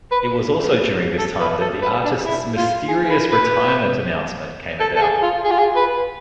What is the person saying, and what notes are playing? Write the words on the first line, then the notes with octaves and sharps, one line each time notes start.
It was also during this time that the artist's mysterious retirement announcement came about.
B4
A4
B4
A4
B4
D4
E4
F4
G#4
B4
B4
A4
A4
G#4
F4
G#4
F4
G#4
B4